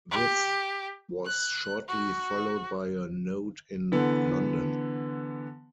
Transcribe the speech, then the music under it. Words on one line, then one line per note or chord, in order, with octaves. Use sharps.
This was shortly followed by a node in London.
G4
F#6
F#4
D3 E3 B3